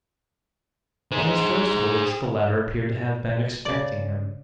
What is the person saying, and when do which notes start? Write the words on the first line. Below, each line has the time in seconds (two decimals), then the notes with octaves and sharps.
From his first words, the latter appeared to have been expecting him.
1.12 G#4 C5
3.65 C#3 D5